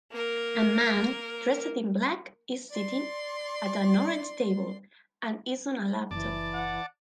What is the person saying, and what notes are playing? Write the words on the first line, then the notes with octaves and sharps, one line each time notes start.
A man dressed in black is sitting at an orange table and is on a laptop.
A#3 A#4
D5 C6
F#1 E3 D5 A5
F#5